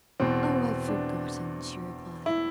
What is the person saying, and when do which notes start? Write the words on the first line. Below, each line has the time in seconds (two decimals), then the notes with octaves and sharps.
"Oh, I've forgotten..." she replied.
0.20 E2 B2 C4
0.88 D4
2.26 E4